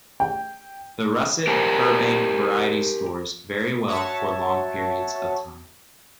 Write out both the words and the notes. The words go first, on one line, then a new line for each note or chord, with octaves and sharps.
The Russet Burbank variety stores very well for long periods of time.
G5
G4 A#4 C5 G#5
F#4 C#5 E5 A5